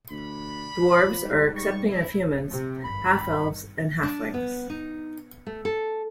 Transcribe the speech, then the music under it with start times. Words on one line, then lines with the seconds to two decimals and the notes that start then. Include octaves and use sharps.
Dwarves are accepting of humans, half-elves and halflings.
0.10 D2 D4 B5
0.81 F3
1.25 G#2 G3
1.56 C#6
1.89 E4
2.50 C3
2.84 G#1 G2 B5
4.03 D4
4.34 B3
4.70 D#4
5.47 A3
5.65 A4